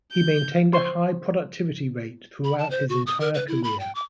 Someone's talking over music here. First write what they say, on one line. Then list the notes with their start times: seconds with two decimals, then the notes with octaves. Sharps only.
He maintained a high productivity rate throughout his entire career.
0.12 G6
0.73 C5 C6 C#6
2.44 B5
2.58 A5
2.71 C5
2.89 F#4
3.07 D#6
3.20 A#4
3.34 B4
3.48 E4
3.64 B5
3.80 G5
3.95 D6